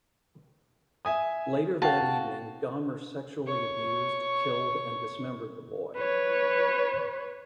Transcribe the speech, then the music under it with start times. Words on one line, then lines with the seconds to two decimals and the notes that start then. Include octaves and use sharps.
Later that evening Dahmer sexually abused, killed, and dismembered the boy.
1.05 E5 G#5 D#6
1.82 F#4 F5 G5 A5
3.46 C#5 C#6
5.96 B4 C#5